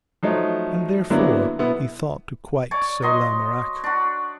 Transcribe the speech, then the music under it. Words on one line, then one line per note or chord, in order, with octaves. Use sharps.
And therefore he thought to quite Sir Lamorak.
F3 F#3 A3 D#4
D3 F#3 A#3 B3 D4 E4
B2 B3 E4
C#5 D5 D6
F#3 D#5 C6
D4 F#4